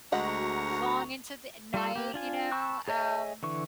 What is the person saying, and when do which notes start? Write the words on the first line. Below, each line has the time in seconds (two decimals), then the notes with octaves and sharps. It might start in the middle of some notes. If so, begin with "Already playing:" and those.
long into the night, you know, um
0.12 D2 G#3 F#4 F#5 A#5 C#6
1.74 G3 F4 A4
1.96 A#3 G4
2.14 D4 F4 G#5
2.52 A5 B5 C#6 E6 F#6
2.88 G#4 C#5 D#5 E5 G#5
3.43 D3 E3 C#6